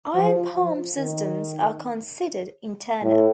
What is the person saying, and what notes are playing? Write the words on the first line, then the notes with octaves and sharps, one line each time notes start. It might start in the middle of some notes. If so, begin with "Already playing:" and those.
Iron Palm systems are considered internal.
F3
F3
D#3
A2